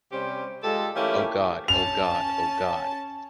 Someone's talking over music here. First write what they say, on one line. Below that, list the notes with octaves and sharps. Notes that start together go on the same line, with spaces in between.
Oh god, oh god, oh god!
C3 G3 C#4 G4 C5
G#3 F4 G4 A4
E3 A3 A#3 C#4 E4 G4
C#4 A5 F7